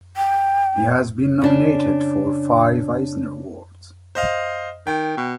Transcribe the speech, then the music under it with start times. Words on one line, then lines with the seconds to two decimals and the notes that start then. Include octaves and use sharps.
He has been nominated for five Eisner Awards.
0.17 G5
1.42 C#3 D4 A5
4.15 C5 D#5 F5
4.87 D#3 G5
5.17 B2